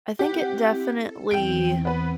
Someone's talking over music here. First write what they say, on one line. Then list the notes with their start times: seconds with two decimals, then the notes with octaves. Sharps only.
I think it definitely
0.19 C4 E4 G4 F#5
0.96 A4
1.31 E2 E3 C4 G5 D7
1.85 B3 B4